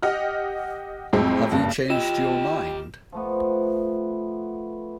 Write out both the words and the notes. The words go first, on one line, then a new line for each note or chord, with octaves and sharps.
Have you changed your mind?
G4 D#5 F#5 F6
F2 A2 F#3 G#3 C4
F#1 G2 C#3 A5
F4 G4 D#5 G5 E7
F3 A3 B3